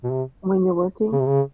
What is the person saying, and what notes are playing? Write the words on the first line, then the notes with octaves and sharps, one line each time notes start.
When you're working?
B2
C3
C#3
C3
C#3